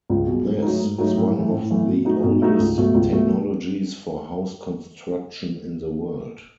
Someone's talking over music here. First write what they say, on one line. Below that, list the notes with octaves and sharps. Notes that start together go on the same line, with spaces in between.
This is one of the oldest technologies for house construction in the world.
C#2
B2 G#3
G#2
F#3 A3 D#4
G#2
F#3 A3 D#4
A2
E3 A3
A2
E3 A3
B2
A3 D#4 F#4
B2
A3 D#4 F#4
C#2
B2 A3
C#2
B2 A3